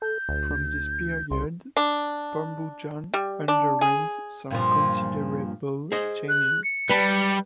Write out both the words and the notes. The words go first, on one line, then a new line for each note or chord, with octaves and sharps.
From this period Pambujan underwent some considerable changes.
A4 G6
D2
C2 C6
D4
G3
D4
G#4
G2 A#2 F3
G#4 C5 D#5
F#6
C#7
G3 B4 A5 B5